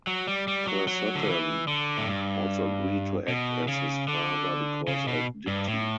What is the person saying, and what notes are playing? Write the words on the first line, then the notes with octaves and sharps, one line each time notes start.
Purshottam also agreed to act as his father because of Dipti.
F#3
G3
G3
F#3
F#3
D3
E3
D3
A2
G2
B2
C#3
D3
C#3
B2
G2
A2